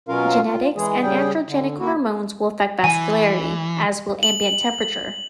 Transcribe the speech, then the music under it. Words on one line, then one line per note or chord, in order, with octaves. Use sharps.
Genetics and androgenic hormones will affect vascularity, as will ambient temperature.
B2 F#3 C#4 F4 A#4 F5
F4
E3 G#3 G#4
C#3 G3 G#4 G5
D3
A#3 E4 F#4
E3 G#5
F#7